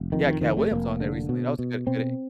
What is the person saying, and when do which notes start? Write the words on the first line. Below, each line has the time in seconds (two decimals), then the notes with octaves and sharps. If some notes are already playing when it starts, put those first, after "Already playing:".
He had Katt Williams on there recently, that was a good good e
Already playing: F1
0.12 F2 D#3
0.27 D#3
0.41 F1 D#3
0.57 A3
0.71 F1 A#3
1.01 D3
1.29 B2
1.59 B2
1.87 B2 C4